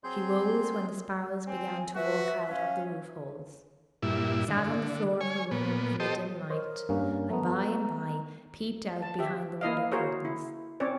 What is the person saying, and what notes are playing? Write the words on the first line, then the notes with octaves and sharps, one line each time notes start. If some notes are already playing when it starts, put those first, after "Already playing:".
She rose when the sparrows began to walk out of the roof-holes, sat on the floor of her room in the dim light, and by-and-by peeped out behind the window-curtains.
F#3 C4 G#4 C6 G6
C4 G#5
F#4 B4 E5
C#4 F5
G2 A#2 E4
D3
C#5 G#5
A#2 B3
G4 A4 C5 D#5
A#4 C5 C#5 D#5
G2 A#3 C#4
A3 B3 A#5
A5
G4 E5
A#3 E4 D#5 F5
F#4 G#4 A#4 C5 C#5
E4
C4 C#4 C#5 D5